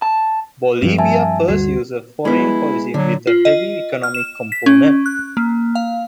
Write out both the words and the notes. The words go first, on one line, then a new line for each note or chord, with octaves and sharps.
Bolivia pursues a foreign policy with a heavy economic component.
A5
G2 F3 C4
E5 G#5 A5
D2 G3 F#4
G#3 B3 E4
D3 F#3
F4
D#5
F6
E7
B6
C#4
F#6
A#3
F5